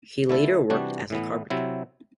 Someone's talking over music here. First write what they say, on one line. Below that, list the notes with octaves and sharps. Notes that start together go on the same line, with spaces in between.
He later worked as a carpenter.
D3 A3 E4 A4
C3 E3 G3 D4 F#4
A2 E3 B3
C3 F#3 C4 E4